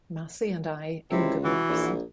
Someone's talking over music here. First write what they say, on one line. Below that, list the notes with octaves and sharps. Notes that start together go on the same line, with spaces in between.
Massey and I. Ingemarsson.
C#2 C3 E4
E3 F#4
A#1